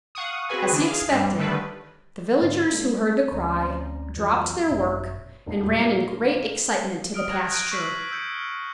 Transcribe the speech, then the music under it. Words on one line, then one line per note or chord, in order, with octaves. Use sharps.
As he expected, the Villagers who heard the cry dropped their work and ran in great excitement to the pasture.
F5 F#5 C#6 D#6
C4 F#4 G#4 B4 G#5
D3 E3 D4
G#4 F5
G2 G3 D4
D3 D#3 G3 A3 D4 B4
G#2 D3 C#4 D4 D5 F5
G#3 A#3 D4
C4
D2 C4 C#4 D5 A#5
F2 E3 F#3 F4 G6
G#1 F#2 B2 E5
E1 D#4 C7
A#2 G3
A#2 A#3 D7 G7
D4
D#6 F6 D7
F#6 G#6 A#6
F#6 G6 D7 D#7
C#6 F#6 B6 C7 F#7
E6 G6 C#7
F6